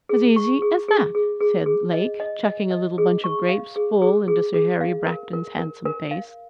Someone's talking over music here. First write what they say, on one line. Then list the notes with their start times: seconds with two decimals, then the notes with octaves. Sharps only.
'As easy as that,' said Lake, chucking a little bunch of grapes full into Sir Harry Bracton's handsome face.
0.09 G#4
0.36 C#6
0.62 G#4
0.88 G#4
1.15 G#4
1.41 G#4
1.66 G#4
1.93 D#5
2.20 D#5
2.45 D#5
2.71 D#5
2.98 G#4
3.24 C#6
3.49 F5
3.76 G#4
4.02 G#4
4.28 G#4
4.54 G#4
4.81 F5
5.06 A#4
5.33 A#4
5.59 A#4
5.85 A#4
6.11 F5